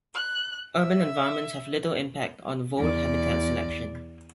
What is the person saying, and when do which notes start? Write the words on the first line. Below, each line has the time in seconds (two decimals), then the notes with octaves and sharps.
Urban environments have little impact on vole habitat selection.
0.15 F#6
0.79 E5
2.77 E2 D5